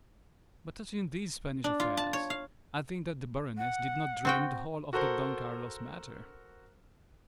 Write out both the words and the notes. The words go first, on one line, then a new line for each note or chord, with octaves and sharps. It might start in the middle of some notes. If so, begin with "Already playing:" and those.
But touching these Spanish affairs, I think that the baroness did not dream the whole of the Don Carlos matter.
D4
F4
A5
C#5
F5
F#5
C4 F#4 G5
F#4 A4 A#4 C5